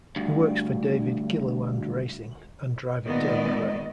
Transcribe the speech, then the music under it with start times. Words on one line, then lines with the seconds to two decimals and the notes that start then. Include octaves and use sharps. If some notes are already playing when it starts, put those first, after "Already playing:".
He works for David Gilliland Racing and driver Taylor Gray.
0.16 D2 G2
3.07 A#2 D#3 G#3 B3 D5 D#5